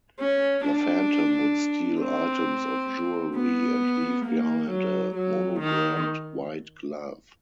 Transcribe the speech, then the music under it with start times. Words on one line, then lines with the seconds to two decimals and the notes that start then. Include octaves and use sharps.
The Phantom would steal items of jewelery and leave behind a monogrammed white glove.
0.20 C#4
0.65 D4
2.00 C4
3.35 B3
4.25 A#3
4.70 F#3
5.15 F#3
5.60 D#3